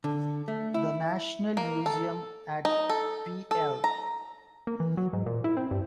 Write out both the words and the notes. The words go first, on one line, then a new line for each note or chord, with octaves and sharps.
The National Museum at pl.
D3
A3
E4
A#3
A4
D#4
A4
A4
A#5
A#3
E3
F#3
G#2
A#2
E4
C4
G2